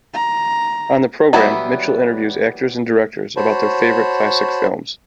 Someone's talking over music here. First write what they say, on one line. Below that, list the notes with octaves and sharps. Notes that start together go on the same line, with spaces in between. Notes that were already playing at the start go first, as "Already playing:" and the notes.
On the program, Mitchell interviews actors and directors about their favorite classic films.
A#5
E3 F#3 G3 B3 E4
F#4 C5 C#5 A5 B5